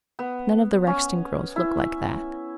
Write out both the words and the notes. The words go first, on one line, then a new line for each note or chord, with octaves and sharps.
None of the Rexton girls looked like that.
B3
C#4
E4